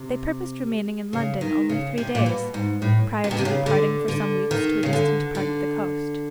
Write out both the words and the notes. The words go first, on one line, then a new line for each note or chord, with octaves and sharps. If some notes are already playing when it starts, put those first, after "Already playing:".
They purposed remaining in London only three days, prior to departing for some weeks to a distant part of the coast.
Already playing: C3
C#3
D#3
C#3
C3
A#2
B2
G#2
A2
C3
B2
C3
C#3
D3
D3
D#3
C#3
D3
D3